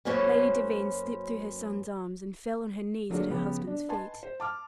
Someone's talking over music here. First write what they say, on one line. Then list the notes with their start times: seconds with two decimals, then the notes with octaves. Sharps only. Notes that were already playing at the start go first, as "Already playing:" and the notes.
Lady Devine slipped through her son's arms and fell on her knees at her husband's feet.
0.05 F#2 F#3 A#3 C#4 B4 C5
3.10 D3 F#3 G#3 A#3 D4 F4
3.30 C#3 F3 B3 G4
3.67 D4
3.89 B4 D#5 G#5 A5 C6
4.23 C5
4.40 A5 D6 F6